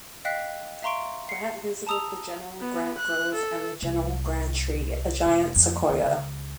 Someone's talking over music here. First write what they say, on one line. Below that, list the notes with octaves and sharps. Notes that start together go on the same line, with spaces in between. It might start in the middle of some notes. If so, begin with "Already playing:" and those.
Grant visited the General Grant Grove and the General Grant tree, a Giant Sequoia.
D#5 F5 G5 F#6 B6 C7
E5 F5 A#5 C6 C#6 D7
C7 C#7
A5 A#5 D#6 E6 F7
B3
F#6
A4
C2
F1
F2
D#2
C#2